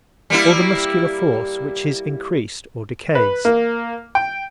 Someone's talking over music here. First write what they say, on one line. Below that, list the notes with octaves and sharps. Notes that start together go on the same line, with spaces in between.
Or the muscular force, which is increased or decays.
G3 A#3 E4
B4
A#3
G5